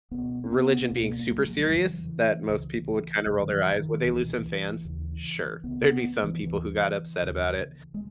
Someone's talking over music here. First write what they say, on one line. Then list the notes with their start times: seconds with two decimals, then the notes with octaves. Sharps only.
religion being super serious that most people would kinda roll their eyes. Would they lose some fans? Sure. There'd be some people who got upset about it,
0.11 C#2 B2 B3
0.45 C#4
0.51 B3
0.82 B3
0.90 C#2 B2 A#3
1.30 F#3
1.38 G#3
1.45 F#3
1.59 F#3
1.69 E2 C#3 E3
2.49 C#2 C#3
3.27 F#2 C#3 F#3
3.43 D#3
3.53 E3
3.73 E3
3.79 D#3
4.01 D#3
4.06 C#2 B2 E3
4.85 D#2 C#3
5.64 C#2 C#3 B3
5.83 B3
6.23 E3
6.43 D#2 C#3 E3
7.22 D#2 C#3
7.94 G#3